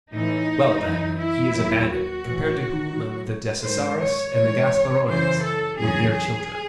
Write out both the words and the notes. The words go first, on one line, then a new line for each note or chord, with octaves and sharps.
"Well, then, he is a bandit, compared to whom the Decesaris and the Gasparones were mere children."
A2 E3 D#4
F#2 E3
E4
D#2 D#3 F#3
F#4
A2 E3
A2 F#3
G#2 D#3 F#3 C5
C#5
G#2 E3 C#5
F#2 C#3 E3 C5
A4
E2 C#3 F#3 G#4
G#4